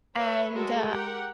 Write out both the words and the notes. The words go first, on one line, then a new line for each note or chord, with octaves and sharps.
and, uh
B4 C#5 E5
G#3 F#4 A4 A#4 E5
G4 A#4 F#5 G5